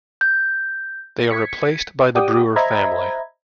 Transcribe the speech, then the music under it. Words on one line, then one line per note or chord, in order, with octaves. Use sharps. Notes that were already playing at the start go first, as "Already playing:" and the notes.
They are replaced by the Brewer family.
G6
G#6 B6 C#7
G4 D5 F#5 G5 D6 D#6
C5 D#5 E5 A#5 B5 G#6